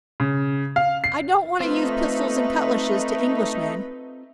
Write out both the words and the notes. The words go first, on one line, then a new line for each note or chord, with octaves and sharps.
I don't want to use pistols and cutlashes to Englishmen.
C#3
F5
C7
A3 C4 D#4 F4 B4 C5